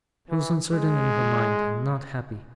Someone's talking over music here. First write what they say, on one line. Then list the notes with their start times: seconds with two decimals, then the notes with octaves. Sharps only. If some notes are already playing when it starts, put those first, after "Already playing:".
She was uncertain in her mind, and not happy.
0.29 E3
0.71 G#3